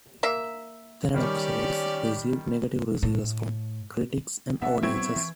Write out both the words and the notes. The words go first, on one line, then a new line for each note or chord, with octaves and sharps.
"Theodore Rex" received negative reviews from critics and audiences.
A#3 E5
D#3 G3 C#4 G4 D5
A2
D1 B3 D4 E5 F#5
F3 F#3 B3 C4 D4 E4 C#6 G#6
E3